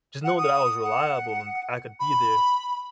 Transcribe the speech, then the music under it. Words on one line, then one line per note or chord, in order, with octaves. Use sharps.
just knowing that I was reliable and I could be there,
F#5
D#6
F#5
B5